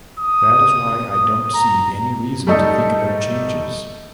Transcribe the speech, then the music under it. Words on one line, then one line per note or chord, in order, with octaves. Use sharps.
That is why I don't see any reason to think about changes.
D#6
A#5
G3 A3 D#4 A4